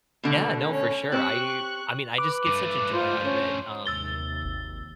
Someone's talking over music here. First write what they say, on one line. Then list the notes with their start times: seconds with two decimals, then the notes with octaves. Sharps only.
Yeah, no, for sure. I I mean, I just get such a joy out of it, um,
0.23 B2 D3 A3
0.70 C#4 C#5
1.12 C4 G4 C#6 F#6
2.18 B4 D6
2.47 G2 A3
2.93 F4 C5
3.24 C#4
3.85 D#2 C3 E6 A6 G7
4.45 G#1